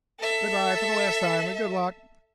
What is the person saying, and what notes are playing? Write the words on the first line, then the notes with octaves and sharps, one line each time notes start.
"Good-by for the last time, and good luck."
A4 E5